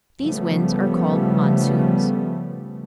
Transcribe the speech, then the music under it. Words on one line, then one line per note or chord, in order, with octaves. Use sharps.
These winds are called "monsoons."
C#3 F3 G3 A3 B3